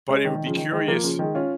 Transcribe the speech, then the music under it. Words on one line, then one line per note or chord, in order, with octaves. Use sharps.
but it would be curious
G#3 C#4
D#3
D#3
C#3 F3
D#3
D#3 G#3
F3 A#3
C#3 F3
D#3 G#3
C#4 F4